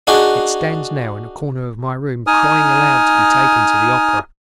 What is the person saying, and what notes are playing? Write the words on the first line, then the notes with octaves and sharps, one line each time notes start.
It stands now in a corner of my room crying aloud to be taken to the opera.
D4 D#4 F#4 G#4
D#4 G#5 D#6 F6